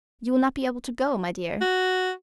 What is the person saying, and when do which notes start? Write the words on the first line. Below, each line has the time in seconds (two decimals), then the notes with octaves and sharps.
"You will not be able to go, my dear."
1.61 F#4